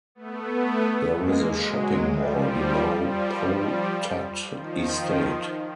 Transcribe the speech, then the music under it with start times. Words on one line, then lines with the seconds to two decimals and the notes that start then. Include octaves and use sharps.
There is a shopping mall below Po Tat Estate.
0.15 A3 B3
1.12 G#3 A#3
1.60 F#3 G#3
2.09 F3 G3
3.06 F3 G3
3.55 F3 G3
4.52 D#3 F3